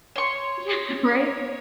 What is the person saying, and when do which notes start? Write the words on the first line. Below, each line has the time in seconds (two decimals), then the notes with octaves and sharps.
Yeah, right?
0.16 C#5 C6 C#6